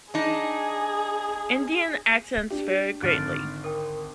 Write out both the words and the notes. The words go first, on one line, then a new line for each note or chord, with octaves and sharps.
Indian accents vary greatly.
D4 D#4 G#4
D4 G4
G#1 D3 D#3 F6 F#6 A6 D7
A#4 G5